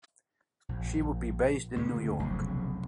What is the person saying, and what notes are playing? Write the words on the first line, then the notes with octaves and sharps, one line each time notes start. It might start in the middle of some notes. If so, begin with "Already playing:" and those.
She would be based in New York.
A#1
D2 G#2 C#3
F1 B1 C#3